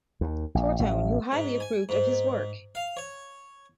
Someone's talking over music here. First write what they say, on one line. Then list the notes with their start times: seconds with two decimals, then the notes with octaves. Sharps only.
Tortone, who highly approved of his work.
0.21 D#2
0.55 A#1
0.80 A1
1.32 G#2
1.60 G#5
1.89 G#2
2.75 F5
2.97 C#5